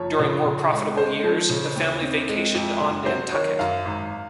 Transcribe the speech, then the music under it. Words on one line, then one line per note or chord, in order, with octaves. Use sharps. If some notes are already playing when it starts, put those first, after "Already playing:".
During more profitable years, the family vacationed on Nantucket.
Already playing: F#1 F3 C#5
C#3
C#3
C#2
G#3 C5
F3
C#3
D#2
C4
G#3
F2
F#1
F#3 C5
D#3 C#5
F#2 F5
G#1